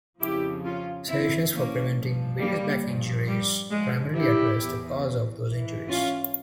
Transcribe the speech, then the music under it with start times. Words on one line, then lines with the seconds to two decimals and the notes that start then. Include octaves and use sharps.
Suggestions for preventing various back injuries primarily address the causes of those injuries.
0.20 F2 C#3 F3 E4 G4
0.63 C#4 F4
1.07 G2 E3 C4 E4
1.51 A#3 C#4
1.95 G2 F3
2.38 G3 A#3
2.83 G2 F3
3.27 G3
3.70 G#2 F3 G#3
4.13 E4 G4
4.57 E2 E3
5.44 G#2 E3
5.89 C#4 F4